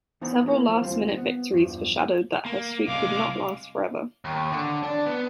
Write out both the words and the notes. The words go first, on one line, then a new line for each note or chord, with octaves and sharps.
Several last-minute victories foreshadowed that her streak would not last forever.
E3 B3 D#4 C5 A#5
A#3 E4 A#4 C5
F3
D#2 G3 C4 F4
B3
E2 G2 F3
A#3
C2 G#3 F5 D6
D#2
D3
D4
B3